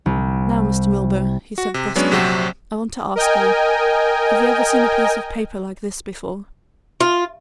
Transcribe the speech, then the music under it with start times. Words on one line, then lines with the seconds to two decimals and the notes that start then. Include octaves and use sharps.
"Now, Mr. Milburgh," he said brusquely, "I want to ask you: Have you ever seen a piece of paper like this before?"
0.06 C2
1.58 F#4
1.74 C3
1.96 F#3 G#3 B3 C#4 D4
2.11 A#1 C3 F#3 C4 F#4 C5
3.16 A#4 D#5 G5 G#5
7.01 F4